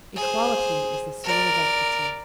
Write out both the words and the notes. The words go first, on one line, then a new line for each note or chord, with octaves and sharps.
Equality is the soul of equity.
G#4 C5
A#4 D5